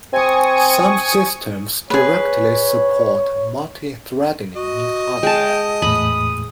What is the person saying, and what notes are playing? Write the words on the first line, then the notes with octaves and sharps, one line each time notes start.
Some systems directly support multithreading in hardware.
C4 G#5 C#6 D#6
G#4 B4 C#5
F#4 D#5
G#3 G5 A5
E2 A2 B5 D#6